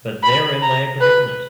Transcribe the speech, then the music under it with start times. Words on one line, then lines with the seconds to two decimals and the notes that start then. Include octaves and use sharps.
But therein lay a predicament.
0.23 B5
0.62 A#5
1.01 B4